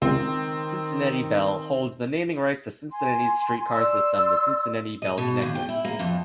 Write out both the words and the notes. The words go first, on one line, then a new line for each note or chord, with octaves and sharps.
Cincinnati Bell holds the naming rights to Cincinnati's streetcar system, the Cincinnati Bell Connector.
C#2 D#3 C4
G#5 C6
D5 C6 E6
D#5
B2
D#2
G5
E4
A#3
F2